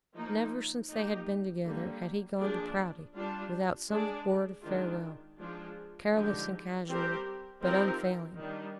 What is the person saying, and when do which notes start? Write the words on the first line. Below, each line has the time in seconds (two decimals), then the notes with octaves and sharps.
Never since they had been together had he gone to Prouty without some word of farewell--careless and casual, but unfailing.
0.16 F3 A#3 D#4
0.91 A#3 D#4 G4
1.66 D3 G3 A#3
2.39 F3 A#3 D4 G#4 D5
3.14 G3 D4 F4
3.89 G#3 D4 G#4 D5
4.63 D#3 G#3 D4 F4
5.39 F3 G#3 D4 F4 G#4
6.13 D3 F3 G#3 D#4 G4
6.87 G3 C4 G4 A#4
7.62 F3 C4 D#4 G4 A#4
8.37 D#3 G3 D4